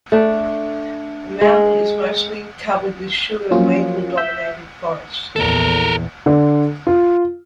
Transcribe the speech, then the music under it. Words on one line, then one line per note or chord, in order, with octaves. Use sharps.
The mountain is mostly covered with sugar maple-dominated forest.
A3 D4
G#3
F3 F#3 A#3 C#4 F4
E5 E6 G6 B6
A#1 E2 A4 A#4
D3
F4